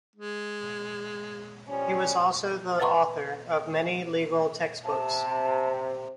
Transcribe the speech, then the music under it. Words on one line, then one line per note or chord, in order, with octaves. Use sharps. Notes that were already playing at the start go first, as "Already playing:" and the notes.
He was also the author of many legal textbooks.
G#3
F3 G3 C#4
B4 F#5 A5 A#5 C6 C#6
C3 A5